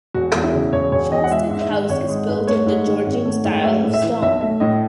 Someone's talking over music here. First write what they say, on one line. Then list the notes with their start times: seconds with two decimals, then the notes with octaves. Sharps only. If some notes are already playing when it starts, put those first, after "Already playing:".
Shalstone House is built in the Georgian style, of stone.
0.14 E1 F#4
0.35 E2
0.44 E4
0.53 C#3
0.73 E1 C#5
0.92 E1 C#5
1.11 E2 D#5
1.24 F#5
1.31 G#3 E5
1.50 G#2
1.60 E5
1.70 D#3
1.89 G#1 C#5
2.09 G#3
2.28 G#2 B4
2.47 A3 C#5
2.66 G#2
2.86 D#3
3.06 G#1
3.25 A3
3.45 G#2
3.64 A3 E5
3.84 A2
3.94 E5
4.03 E3
4.22 B1 E5
4.41 A3 E5
4.60 A2 D#5